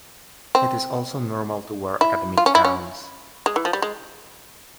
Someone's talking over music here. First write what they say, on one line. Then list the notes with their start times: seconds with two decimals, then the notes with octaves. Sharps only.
It is also normal to wear academic gowns.
0.55 C4
2.01 E4
2.38 F4
2.46 C#4
2.55 E4
2.64 C#4
3.46 G#3
3.56 E3
3.65 F3
3.73 G3
3.82 G#3